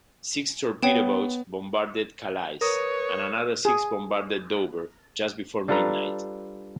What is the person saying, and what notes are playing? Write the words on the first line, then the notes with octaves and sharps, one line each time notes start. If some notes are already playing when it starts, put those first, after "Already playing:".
Six torpedo boats bombarded Calais and another six bombarded Dover just before midnight.
B3 C#5 G5 E7
A#4 B4 C#5 D#6
G#4
G3 D4 F4 A4 B4 A#5